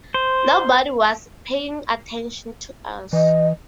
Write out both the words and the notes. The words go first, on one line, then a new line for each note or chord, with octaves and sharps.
Nobody was paying attention to us.
C5
E3 D#5